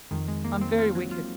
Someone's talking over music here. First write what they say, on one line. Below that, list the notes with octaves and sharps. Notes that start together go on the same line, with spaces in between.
'I'm very wicked.
F2 D#3 G#3
G#3
A#3
C4
F4
F#3
F4